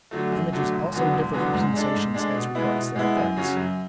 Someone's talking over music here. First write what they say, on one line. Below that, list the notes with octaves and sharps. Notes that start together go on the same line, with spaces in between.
Images also differ from sensations as regards their effects.
D3 F#3 A3
F#2
D3 F#3 A3
E1
E2 D3 F#3 B3
E1
E2 D3 F#3 B3
G#2
G#3 D4 A4
G#2
G#3 D4 A4
B2
G#3 B3 E4
B2
G#3 B3 E4
F#2
C#3 F#3 C#4
F#2